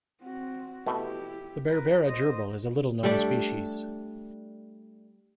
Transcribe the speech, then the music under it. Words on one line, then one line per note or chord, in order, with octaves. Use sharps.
The Berbera gerbil is a little known species.
C4 F#4
B2 A3 E4 G4
A#4 B4
C5 D#5
G3 A3 D4 D5